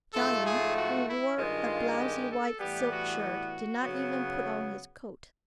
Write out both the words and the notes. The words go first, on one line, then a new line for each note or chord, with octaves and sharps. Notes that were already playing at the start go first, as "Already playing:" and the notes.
Johnny, who wore a blousy white silk shirt, did not even put on his coat.
G#2 F3 A3 A4
G#4
F#4
E4
G2 D#3 G#3 F4
G4
A4
A2 E3 G3 B3 G4
F#4
F#4
C#3 F#3 B3